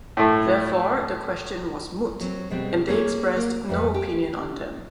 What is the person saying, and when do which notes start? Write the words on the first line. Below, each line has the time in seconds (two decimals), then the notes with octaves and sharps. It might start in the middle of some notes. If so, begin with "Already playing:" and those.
Therefore, the question was moot, and they expressed no opinion on them.
0.17 A2 A3
2.21 F#3 C4
2.50 D#2 B2 G3 G#3 C4
2.88 A#3 G#4 C#5
3.37 A#3
3.69 F2 A2 B4
3.94 G4